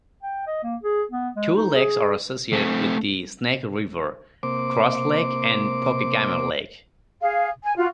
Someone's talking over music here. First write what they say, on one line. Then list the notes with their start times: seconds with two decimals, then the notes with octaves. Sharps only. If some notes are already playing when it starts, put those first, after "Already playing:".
Two lakes are associated with the Snake River: Cross Lake and Pokegama Lake.
0.23 G5
0.47 D#5
0.63 A#3
0.83 G#4
1.12 B3
1.36 G#3
1.55 D#4
1.74 G#4
2.53 A3 C4
4.43 C3 A#3 C5 D6
7.21 G#4 F5
7.63 G#5
7.77 F4 F#4